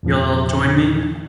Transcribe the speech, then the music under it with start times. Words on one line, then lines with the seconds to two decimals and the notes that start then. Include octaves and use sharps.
You'll join me?
0.03 E2 A#2 F3